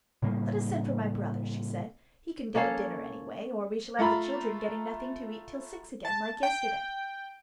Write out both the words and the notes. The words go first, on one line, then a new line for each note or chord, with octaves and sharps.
"Let us send for my brother," she said; "he can get a dinner anyway, or we shall have the children getting nothing to eat till six again, like yesterday."
A2 C#3 G3 A#3
A#3 C#4 A4 F5
A3 F4 A#5 B5
A5
G5